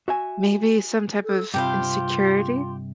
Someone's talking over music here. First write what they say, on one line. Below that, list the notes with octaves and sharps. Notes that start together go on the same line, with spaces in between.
maybe some type of insecurity.
F#4 E5 G#5
A4
G2 C3 F4 G4 C5 F5 B5